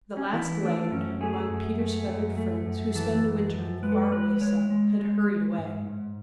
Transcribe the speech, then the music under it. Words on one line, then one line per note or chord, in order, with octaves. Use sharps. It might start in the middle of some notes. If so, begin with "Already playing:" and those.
The last laggard among Peter's feathered friends who spend the winter in the far-away South had hurried away.
C#4
D4
E3 E4
A3 D4
F#2 C#4
A3 G#4
F#2
A3
F#2
A3
F#2
E3 A4
F#2
F#2
G#3 B4
A4
B4
G#3 B4
G#3 C#5
G#3
G#3
G#3
G#2
G#2